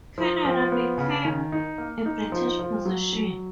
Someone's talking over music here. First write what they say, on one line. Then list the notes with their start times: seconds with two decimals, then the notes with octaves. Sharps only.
Canada became a British possession.
0.18 F3
0.45 F3
0.72 B3
0.98 C#3
1.25 D#3
1.52 D#4
1.78 A#3
2.06 D#4
2.32 F3
2.59 F3
2.85 F#3
3.13 F#3